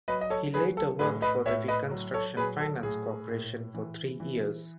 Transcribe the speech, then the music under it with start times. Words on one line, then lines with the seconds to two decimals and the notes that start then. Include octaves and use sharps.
He later worked for the Reconstruction Finance Corporation for three years.
0.08 F#3 B4 D#5
0.21 D#5
0.30 A4 C#5
0.54 F#3 G#4 B4
0.77 A4
0.99 A2 G#4 B4
1.22 B4 D#5
1.46 A2 C#5 E5
1.68 B4 D#5
1.91 F#3
2.14 A4 C#5
2.37 F#3 G#4 B4
2.60 A4
2.83 A2 G#4
3.29 A2
3.74 E3
4.20 E3